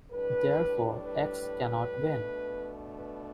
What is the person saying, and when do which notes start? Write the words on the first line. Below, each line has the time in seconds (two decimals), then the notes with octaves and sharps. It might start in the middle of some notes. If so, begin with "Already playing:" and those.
Therefore X cannot win.
0.11 A2 G3 D4 B4
1.05 B4
1.99 B2 A3 D4
2.93 B4